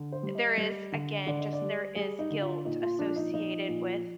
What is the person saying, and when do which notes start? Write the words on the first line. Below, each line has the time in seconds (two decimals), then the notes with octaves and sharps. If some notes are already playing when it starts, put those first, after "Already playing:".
there is, again, just there is guilt associated with
Already playing: D3
0.12 C5
0.23 G3
0.35 D#5
0.58 G3
0.92 D3
1.27 D3 D5
1.40 D#5
1.53 D5
1.61 G3
1.95 G3 G#4
2.19 D#4
2.30 D3
2.41 F4
2.65 A#2 D#4
2.82 F4
2.99 F3 D4
3.16 D#4
3.34 F3 D#4
3.68 A#2